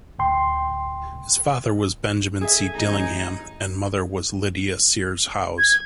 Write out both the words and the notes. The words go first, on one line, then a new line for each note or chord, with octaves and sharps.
His father was Benjamin C. Dillingham and mother was Lydia Sears Howes.
D2 A2 G5 C6
G#4 A4 E5 G#5
A1 D#4
G#6